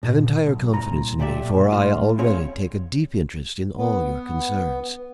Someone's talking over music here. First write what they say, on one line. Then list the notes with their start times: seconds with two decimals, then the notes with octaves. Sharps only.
Have entire confidence in me, for I already take a deep interest in all your concerns.
0.03 G2 A#2
0.46 B1
0.73 C2 A#2 A#5
1.19 B1 A#2 G4 D5 E5
1.72 A2 F4
2.19 C4 G#4 C#5 F5
3.77 B3